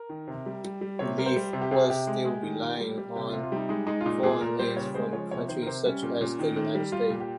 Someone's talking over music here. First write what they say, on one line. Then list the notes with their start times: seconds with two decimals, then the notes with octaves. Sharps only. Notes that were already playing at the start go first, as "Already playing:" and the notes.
Relief was still relying on foreign aid from countries such as the United States.
Already playing: A#4
0.09 D#3
0.28 C3
0.46 G3
0.64 G3
0.81 G3
0.99 C3 C#5
1.18 G3 A#4
1.26 C5
1.36 G3
1.53 C3
1.61 G4
1.71 C3 G#4
1.90 C3 G4
2.07 G#3
2.25 G#3
2.43 D#3
2.62 A#2
2.80 G3
2.98 G3
3.15 C3 G4
3.29 C3 F4
3.43 F4
3.52 G3 D#4
3.69 G#3 D#4
3.87 G#3 D#4
4.01 F4
4.06 A#2 D#4
4.23 A#2 G#4
4.41 A#2 A#4
4.59 G3 C5
4.77 C#3 C#5
4.94 G#3 C5
5.13 F3 C#5
5.31 C3 C#5
5.48 D#3 C5
5.62 A#4
5.66 C3 C5
5.85 G3 C#4
6.03 A#2
6.21 A#2
6.39 D#3
6.56 D#3
6.75 G3
6.92 G3 F4
7.10 A#2
7.20 G4